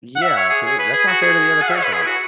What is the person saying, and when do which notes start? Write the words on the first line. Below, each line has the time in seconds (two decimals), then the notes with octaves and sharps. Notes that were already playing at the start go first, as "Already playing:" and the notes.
Yeah, 'cau uh that's unfair to the other person.
0.16 F#5
0.22 E5
0.36 C#5
0.50 G#4
0.65 G#4
0.79 B4
0.93 G#4
1.07 F#4
1.22 G#4
1.62 F#5
1.69 E5
1.77 C#5
1.85 B4
1.93 G#4
2.02 E4
2.07 F#4